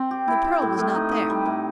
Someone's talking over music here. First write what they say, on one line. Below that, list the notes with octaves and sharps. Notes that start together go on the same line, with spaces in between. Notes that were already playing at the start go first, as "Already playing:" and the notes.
The pearl was not there.
Already playing: C4
G4
E4
E4
A2
A2
D#4
D#4
G3
A2